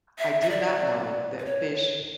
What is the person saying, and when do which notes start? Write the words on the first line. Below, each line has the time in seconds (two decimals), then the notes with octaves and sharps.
I did not know that fish
0.19 E5
0.42 E5
0.50 D5
1.39 B4
1.45 C#5